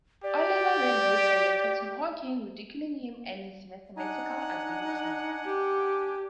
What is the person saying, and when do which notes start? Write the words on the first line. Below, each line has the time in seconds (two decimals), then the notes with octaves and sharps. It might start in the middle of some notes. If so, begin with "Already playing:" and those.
Oliver then wrote a letter to Hawking, ridiculing him and his mathematical abilities.
0.24 G4 D5
3.97 D4 D#4 F#5 G#5
5.45 G4